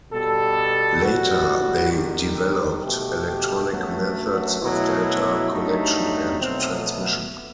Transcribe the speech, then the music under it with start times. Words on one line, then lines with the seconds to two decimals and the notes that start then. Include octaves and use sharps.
Later they developed electronic methods of data collection and transmission.
0.12 B2 G3 A4
1.02 A2 G3 F#4
1.91 E2 D#3 G3
2.81 B2 A3 G4
3.27 G4
3.70 F#2 F#3 A3 F#4
4.60 B2 F#3 A3 E4
5.50 G2 F#3 A3 D#4
6.39 B2 F#3 A3 C4
6.84 B3